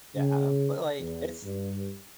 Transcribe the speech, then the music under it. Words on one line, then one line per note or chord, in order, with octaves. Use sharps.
Yeah, but, like, it's
C#3
E2
G2